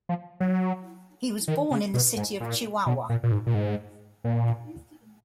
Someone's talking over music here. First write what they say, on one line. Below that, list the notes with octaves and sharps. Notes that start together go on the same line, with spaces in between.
He was born in the city of Chihuahua.
F3
F#3
D#3
C#3
B2
G#2
A#2
B2
A#2
A#2
G#2
A#2
G#2
A#2